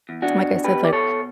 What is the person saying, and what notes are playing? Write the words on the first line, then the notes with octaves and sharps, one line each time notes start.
like I said, like,
E2
D4 F#4
B2
B2 G4 B4
D5
B2 A4 C#5